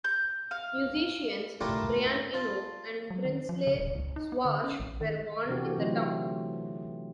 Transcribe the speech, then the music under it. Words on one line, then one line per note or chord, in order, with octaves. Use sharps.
Musicians Brian Eno and Brinsley Schwarz were born in the town.
G6
F5
A3 D4 E4 F4 G4 A#4
F4 A5
F#3
D#3
F3
C#3
D#1
C#2
D#4
B3
D3
C#4
A1
D#3
C3 E3 B3 D4 F#4 G4
D3 E3 F#3 A3 C4 F4